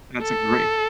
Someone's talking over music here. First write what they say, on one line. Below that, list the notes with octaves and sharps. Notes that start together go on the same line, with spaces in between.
That's a grea
A4